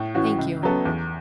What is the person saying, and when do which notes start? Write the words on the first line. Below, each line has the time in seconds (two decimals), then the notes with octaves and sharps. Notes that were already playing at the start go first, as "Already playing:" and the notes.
'Thank you.
Already playing: A2
0.15 E3 C#4 F#4
0.39 C#2
0.62 C#3 F#3 B3 A4
0.85 E2